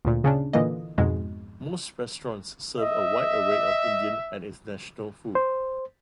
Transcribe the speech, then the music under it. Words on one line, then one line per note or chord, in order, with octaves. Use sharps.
Most restaurants serve a wide array of Indian and International food.
D2 A#2
C#3 C#4 D4
A#2 D3 E3 A#3 D#5
F2 G#2 B2 G#3
D#5 E5
C5